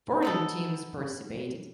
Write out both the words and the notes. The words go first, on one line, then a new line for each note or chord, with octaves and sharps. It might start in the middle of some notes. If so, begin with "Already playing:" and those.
Fourteen teams participated.
B3 D#4 A4